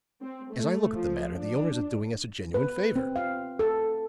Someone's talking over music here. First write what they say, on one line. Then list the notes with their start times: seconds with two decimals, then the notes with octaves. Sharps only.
As I look at the matter, the owners are doing us a genuine favor.
0.22 C4
0.53 A3
0.93 F3
1.37 D4
2.54 B4
2.96 C4
3.16 F5
3.59 A4